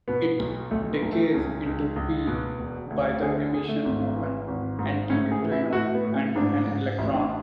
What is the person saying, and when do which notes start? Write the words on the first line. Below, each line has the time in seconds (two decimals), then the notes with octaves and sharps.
It decays into Be by the emission of an antineutrino and an electron.
0.08 B2 B3
0.39 B1
0.71 B1 A3
0.92 B3
1.02 B1
1.12 A3
1.34 C#2 C#4
1.66 C#2
1.96 C#2
2.27 B2
2.59 E1
2.90 D2
3.22 D3 G#4
3.54 D3 G#4
3.68 A3
3.85 G#1
4.16 E3
4.48 G#1
4.79 G#2
5.10 A2 C#4
5.32 G#4
5.42 E3
5.52 E4
5.73 A2 F#4
5.95 B3
6.05 A2
6.15 C#4
6.36 G#2 D4
6.67 G#2
6.98 A1 E4
7.14 D4